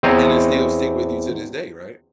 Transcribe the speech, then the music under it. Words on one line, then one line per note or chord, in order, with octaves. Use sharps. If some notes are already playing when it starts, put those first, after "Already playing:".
And it still stick with you to this day, right?
E2 C4 C5 C#5 D#5 A#5